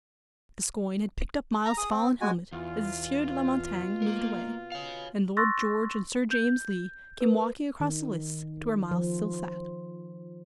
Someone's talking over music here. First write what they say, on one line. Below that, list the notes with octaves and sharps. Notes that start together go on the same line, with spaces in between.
Gascoyne had picked up Myles's fallen helmet as the Sieur de la Montaigne moved away, and Lord George and Sir James Lee came walking across the lists to where Myles still sat.
A#5
G#4 D#6
C4
G#3 F#4 G#5
E2 B2 F4
A#3 A#4
C#5 F5
C6 C#6 E6 F#6 A6 A#6
G6
A#4 B4
D#3
F3